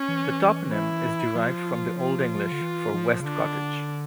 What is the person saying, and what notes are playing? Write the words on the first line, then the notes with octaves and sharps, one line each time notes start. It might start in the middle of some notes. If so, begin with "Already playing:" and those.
The toponym is derived from the Old English for "west cottage".
Already playing: C#4
E3
E4
F3 F4
F4
D3
E3
F3
C#3
D3 D4